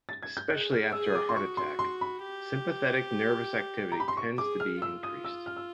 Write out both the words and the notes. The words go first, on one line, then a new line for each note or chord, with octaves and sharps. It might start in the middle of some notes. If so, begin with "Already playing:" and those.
Especially after a heart attack, sympathetic nervous activity tends to be increased.
A6
G#6
G6
G#4 F#6
F6
G#4 E6
D#6
D6
C6
F#4 C#6
C6
C6
B5
G4
A#5
B5
C6
C#6
G#4 D6
F6
F4 E6
D#6
E6
F6
E6